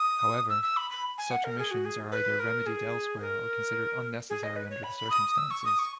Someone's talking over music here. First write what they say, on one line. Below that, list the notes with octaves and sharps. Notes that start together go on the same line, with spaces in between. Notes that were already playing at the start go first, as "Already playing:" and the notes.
However, such omissions are either remedied elsewhere or considered unnecessary under the circumstances.
Already playing: D#6
E6
E6
B5
B5
G#5
F#5
A#4
G#4
F#4
G#4
B4
A#4
G#4
A#4
G#4
D#5
B4
C#5
B5
D#6
E6
C#6
D#6
C#6